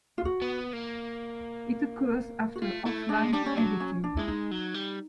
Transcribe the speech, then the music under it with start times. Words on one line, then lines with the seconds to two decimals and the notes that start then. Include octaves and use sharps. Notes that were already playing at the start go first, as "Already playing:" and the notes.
It occurs after offline editing.
0.18 F4
0.25 F#4
0.42 B3
0.73 A#3
2.56 F#4
2.62 A3 F4
2.86 A3 E4
3.09 G#3 D4
3.33 G3 D4
3.46 C#4
3.57 F#3 D4
3.80 C#4
4.04 D4
4.17 G#3 E4
4.28 D#4
4.51 F#3
4.74 G3